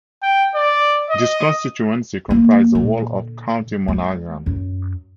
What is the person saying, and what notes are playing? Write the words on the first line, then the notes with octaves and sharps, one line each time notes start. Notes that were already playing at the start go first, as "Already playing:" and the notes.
This constituency comprised the whole of County Monaghan.
G5
D5
D#5
G#3 A#3
A#2 D3
G#3
F#2